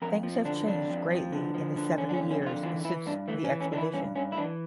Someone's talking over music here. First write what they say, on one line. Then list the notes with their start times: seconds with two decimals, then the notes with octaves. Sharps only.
Things have changed greatly in the seventy years since the expedition.
0.02 F2 A#4
0.23 F3
0.45 D3 D4
0.67 F2 D4
0.89 F2
1.10 F3
1.32 D3
1.54 F3
1.76 D3
1.98 D3 C#4
2.09 D4
2.14 C#4
2.19 F2
2.31 C#4
2.42 D3 F4
2.63 E3 F4
2.85 E3 E4
3.07 G2 D4
3.28 E3 A3
3.44 C#4
3.50 E3
3.61 C#4
3.72 E3 D4
3.77 E4
3.94 G2 C#4
4.16 G2 C#4
4.32 E4
4.38 E3 D4